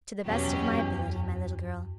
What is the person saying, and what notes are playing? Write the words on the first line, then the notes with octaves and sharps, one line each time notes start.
"To the best of my ability, my little girl."
E2 B2 F#3 C#4 G4
F#2
F#2
E2
F#2
E2
F#2